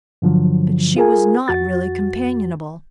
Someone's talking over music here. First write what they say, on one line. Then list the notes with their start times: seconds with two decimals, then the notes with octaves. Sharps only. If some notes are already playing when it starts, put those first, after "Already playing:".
But she was not really companionable.
0.22 G2 D3 F3 F#3
0.96 F4 G#4 A#4 G#5
1.48 F2 F#4 A6